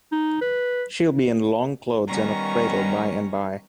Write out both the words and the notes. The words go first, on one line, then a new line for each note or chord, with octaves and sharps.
She'll be in long clothes and a cradle by and by.
D#4
B4
D#3 G3 B3 C#4 A#5 C#6